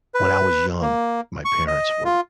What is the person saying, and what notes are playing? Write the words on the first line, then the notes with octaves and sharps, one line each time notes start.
when I was young, my parents were
B4
A#3
C#6
D#5
F4